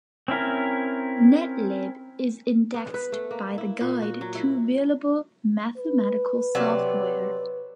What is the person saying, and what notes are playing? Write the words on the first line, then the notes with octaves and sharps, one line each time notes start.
Netlib is indexed by the Guide to Available Mathematical Software.
C4 C#4 E4 A#4
B3
B4
A3
A#3
E4
A#2
F#4
F#3
E4
B4
C3 F#3 D5